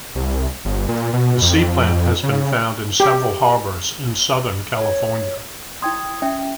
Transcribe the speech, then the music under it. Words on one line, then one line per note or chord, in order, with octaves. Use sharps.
The sea plant has been found in several harbors in southern California.
C2
G1
A#2
B2
F2
C#3
G4
C#5
E4 G5 C6 D#6 G#6
C#4 E5 G5